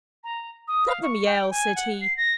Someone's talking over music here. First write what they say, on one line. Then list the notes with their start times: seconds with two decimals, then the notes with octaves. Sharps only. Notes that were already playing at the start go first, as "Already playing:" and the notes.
'Let them yell!' said he.
0.24 A#5
0.68 D#6
0.87 F5
1.03 C#6
1.26 G5
1.51 G#5
1.76 F#5
2.01 C7
2.17 A#6